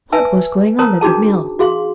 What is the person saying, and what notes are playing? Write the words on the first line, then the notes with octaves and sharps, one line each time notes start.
What was going on at the mill?
B4 E5 G#5 A5 E6
A#4 C5 C#5 A5 A#5 D#6
D4 D#4 F#4 G#4 A5
F#4 G#4 F5 C6